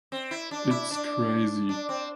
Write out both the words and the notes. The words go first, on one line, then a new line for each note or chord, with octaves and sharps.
It’s crazy.
C4
E4
D4
E4
D4
D4
C4